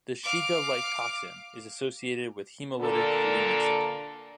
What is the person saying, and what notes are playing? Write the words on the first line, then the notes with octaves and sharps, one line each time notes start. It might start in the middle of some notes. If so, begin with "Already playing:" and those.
The Shiga-like toxin is associated with hemolytic-uremic syndrome.
F5 D6
A#2 D3 A#3 A4